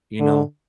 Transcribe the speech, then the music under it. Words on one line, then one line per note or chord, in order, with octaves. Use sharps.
You know?
D3